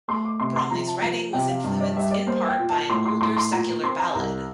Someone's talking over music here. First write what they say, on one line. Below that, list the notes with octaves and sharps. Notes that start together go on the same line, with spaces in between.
Brumley's writing was influenced in part by an older secular ballad.
A3 C6
D6
C3 C6
C6
F3 A#5
A5
F3 A#5
C3 G5
F5
G2
D5
G3 E5
D5
A#3 C5
G5
A#2
A5
A2 C6
C6
A2 C6
C6
A#2 A#5
C4 C6
A#5
C2 A#5